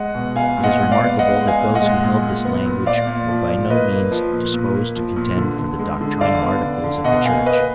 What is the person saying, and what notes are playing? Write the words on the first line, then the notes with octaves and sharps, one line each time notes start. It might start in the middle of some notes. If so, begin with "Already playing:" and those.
It is remarkable that those who held this language were by no means disposed to contend for the doctrinal Articles of the Church.
Already playing: G#3 D#5 F#5
B2
B3 F5 G#5
A#2
D#5 F#5
G#3
D5 F5
B3
B3 D#5 F#5
G#3
F5 G#5
A#2
D#5 F#5
G#3
A#2
A#2
B3
A#2
A#2 D5 F5
A#2
F3
A#2
A#3 B4 D#5
A#3
F3
A#2
A#2
A#3
F3
A#2
D3
D3
G#3
D3
D3 D5 F5
B3
D3
D3
B2 D#5 F#5
A#3 F5 G#5
A#3 B4 D#5